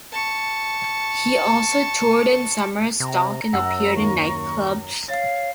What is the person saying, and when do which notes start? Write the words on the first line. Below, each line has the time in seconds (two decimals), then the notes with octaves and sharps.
He also toured in summer stock and appeared in nightclubs.
0.12 A5 C#6
3.00 C3 A#5
3.53 F#2 F#5 E6
3.96 D#2 C#6
5.08 C#5 F5 A6